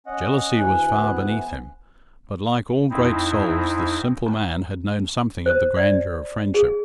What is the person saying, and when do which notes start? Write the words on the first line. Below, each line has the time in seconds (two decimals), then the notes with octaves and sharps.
Jealousy was far beneath him, but, like all great souls, this simple man had known something of the grandeur of friendship.
0.06 C#4 D#5 F#5
0.58 D2 E3 G#5 F#6
0.99 B3 C5
2.90 F2 C4 D#4 E4
4.27 A#5
5.46 C5
5.77 D5
6.54 G#4